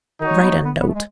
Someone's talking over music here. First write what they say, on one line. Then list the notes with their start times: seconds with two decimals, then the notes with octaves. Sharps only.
Write a note!
0.20 D#3 D#4 F#4 C#5
0.35 G#3
0.43 B3
0.50 A3
0.65 B3
0.80 B3
0.87 A3
0.95 G#3